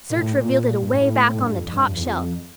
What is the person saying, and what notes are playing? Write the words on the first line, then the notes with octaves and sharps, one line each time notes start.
Search revealed it away back on the top shelf.
A#2
A2
A#2
G2
A2
A2
G2
F2
G2
F2
E2
F2